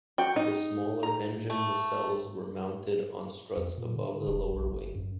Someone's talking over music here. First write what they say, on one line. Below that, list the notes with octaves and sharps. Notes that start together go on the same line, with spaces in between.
The smaller engine nacelles were mounted on struts above the lower wing.
F#4 G5
D#4
A#5
A3
F2
A#2
D3
E1
A#1
G1
F#2